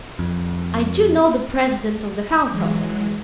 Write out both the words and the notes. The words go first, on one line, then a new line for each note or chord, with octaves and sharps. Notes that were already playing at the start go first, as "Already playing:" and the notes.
I DO know the President of the Council.
F2
E3 F#3 G#3